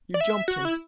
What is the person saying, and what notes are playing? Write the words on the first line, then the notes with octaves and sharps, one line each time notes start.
You jumped him.
D5
E5
F#4
E4